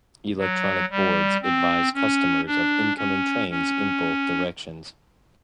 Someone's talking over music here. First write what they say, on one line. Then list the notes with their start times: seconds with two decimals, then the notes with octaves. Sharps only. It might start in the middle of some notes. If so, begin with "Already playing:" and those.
Electronic boards advise customers of incoming trains in both directions.
0.39 F#3
0.91 G3
1.42 C4
1.94 C#4
2.46 D4
2.97 C#4
3.50 C#4